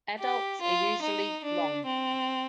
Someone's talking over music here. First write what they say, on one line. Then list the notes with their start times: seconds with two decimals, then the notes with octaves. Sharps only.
Adults are usually long.
0.20 G4
0.61 F4
1.02 D#4
1.45 D4
1.85 C4